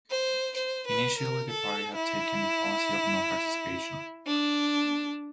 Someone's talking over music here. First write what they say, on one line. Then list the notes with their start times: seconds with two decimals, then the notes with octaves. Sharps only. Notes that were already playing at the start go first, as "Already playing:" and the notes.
Initially the party had taken the policy of non-participation.
0.10 C5
0.56 C5
0.87 B4
1.18 A#4
1.49 A4
1.95 E4
4.26 D4